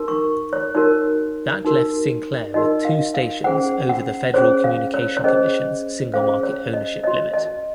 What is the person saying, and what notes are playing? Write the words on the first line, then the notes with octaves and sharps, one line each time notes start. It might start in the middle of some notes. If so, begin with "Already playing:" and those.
That left Sinclair with two stations over the Federal Communications Commission's single-market ownership limit.
Already playing: D#4 F#4 A#4
C#6
C#5
D#4 F#4 A#4 C#5
D#4 F#4 A#4
D#4 F#4 A#4 D#5
F5
F5
C#4 G#4 C5 F#5
F#5
C#4 G#4 C5 C#5
F5
C#5
C#5
C#4 G#4 C5 D#5
C#4 G#4 C5 F5
C#5
D#5
F#4 C#5 D#5
D#5